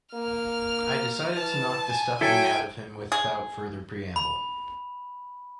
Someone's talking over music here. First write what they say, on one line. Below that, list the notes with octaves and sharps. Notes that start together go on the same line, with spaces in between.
I decided to knock the stuffing out of him without further preamble.
A#3 F6
E3 A5
G#5
F#3 E4 A4 G5 G#5
G#4
B5